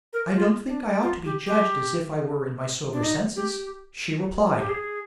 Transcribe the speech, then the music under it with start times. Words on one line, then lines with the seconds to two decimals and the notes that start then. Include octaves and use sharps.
'I don't think I ought to be judged as if I were in my sober senses,' she replied.
0.13 A#4
0.35 F4
0.68 D4
1.03 F4
1.25 G4
1.46 G4
2.93 D4
3.03 D#4
3.36 G4
4.59 G4
4.69 G#4